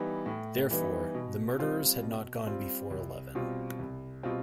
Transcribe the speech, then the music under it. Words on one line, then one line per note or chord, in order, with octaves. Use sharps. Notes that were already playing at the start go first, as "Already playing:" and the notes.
Therefore the murderers had not gone before eleven.
Already playing: E3 G3 B3 D#4
A2
E3 G3 B3 D#4
B2
G3 C4 F4
B2
G3 C4 F4
C2
B2 G3 C4 F4
C2
B2 G3 C4 F4